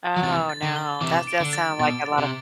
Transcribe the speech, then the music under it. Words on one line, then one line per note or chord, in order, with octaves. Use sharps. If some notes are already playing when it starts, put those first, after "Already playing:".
Oh, no. That does sound like a lot of
F3
C3 E3 A6
A6
D3
G7
C3 E3 D6
D7
D3
A6
B2 A6
A6
C3